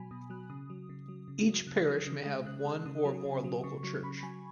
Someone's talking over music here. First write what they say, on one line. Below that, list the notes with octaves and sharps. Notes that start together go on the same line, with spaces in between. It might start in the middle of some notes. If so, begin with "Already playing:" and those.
Each parish may have one or more local church.
Already playing: B2 F#3 G#5 B5
B2 D#6
F#3 F#6
C#3 D#6
F#3
C#3
F#3
C#3
F#3
C#3 F#6
F#3 D#6
C#3
G#3
C#3 F#6
G#3
C#3 D#6
F#3
C#3
F#3
C#3 C#6
F#3 C#6
C#3 B5
F#3 G#5